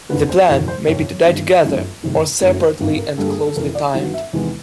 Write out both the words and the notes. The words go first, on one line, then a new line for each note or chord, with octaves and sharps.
The plan may be to die together, or separately and closely timed.
F1 D#2 D3 B4
C5
F#1 E2 B2 C#5
C5
G1 F2 C3 D#3 C#5
G1 G2 D#3 G3
G1 F#2 D#3 F#3 A3
F#1 F2 C3 D#3 G#3
F#1 F#2 D3 F#3 A3 A#4
C5
G#1 G2 D3
A#4
G2 D3 G3 A#3 A4
G#4
A4
A4
F2 C3 E3 A#4
D5
G1 G2 D#3 F#3 B3
E5
E2 C3 D#3 G#3 B3